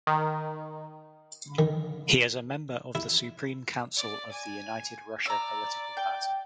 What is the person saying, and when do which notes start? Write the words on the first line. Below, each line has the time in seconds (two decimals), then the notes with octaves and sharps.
He is Member of the Supreme Council of the United Russia political Party.
0.07 D#3
1.59 D#3
2.95 E4
3.96 D5
4.31 G#5
5.26 D5 A#5 E6
5.97 G5